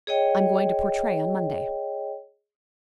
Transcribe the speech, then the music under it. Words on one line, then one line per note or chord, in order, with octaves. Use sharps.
"I am going to Portray on Monday."
G#4 C#5 D#5 G5